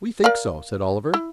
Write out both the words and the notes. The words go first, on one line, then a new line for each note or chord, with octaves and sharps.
"We think so," said Oliver.
A#4 D5 F5
E4